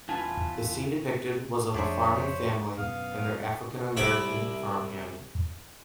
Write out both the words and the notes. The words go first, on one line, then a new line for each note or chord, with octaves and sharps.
The scene depicted was of a farming family and their African American farm hand.
E2 E4 F4 G#5 A5
F2 A3 D4 E4 G#4 C5 C#5 B5
F#2 B2 B3 F5 D#6
C2 E4 B5 D6